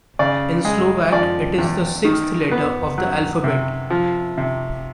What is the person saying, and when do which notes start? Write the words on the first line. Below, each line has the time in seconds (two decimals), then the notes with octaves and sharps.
In Slovak it is sixth letter of the alphabet.
0.19 C#3 D5
0.65 G#3
1.12 F3 D5
1.58 E2
2.05 D#3
2.51 B3
2.98 F#3
3.44 C3
3.90 F3
4.38 C3